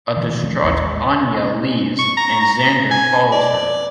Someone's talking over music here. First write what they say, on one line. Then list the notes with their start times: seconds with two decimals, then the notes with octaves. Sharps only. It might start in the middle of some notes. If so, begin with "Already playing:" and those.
A distraught Anya leaves and Xander follows her.
0.17 B2 D#3 E3
0.43 F3 A3 C4 C#4
0.62 A1 D#2
0.82 G#3
1.99 C#6
2.17 A#5
2.40 A#5
2.91 G#5
3.32 D5